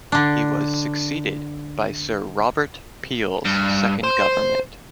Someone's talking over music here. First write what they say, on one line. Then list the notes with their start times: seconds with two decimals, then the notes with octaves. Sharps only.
He was succeeded by Sir Robert Peel's second government.
0.12 D3 D4
3.45 G2
4.04 C5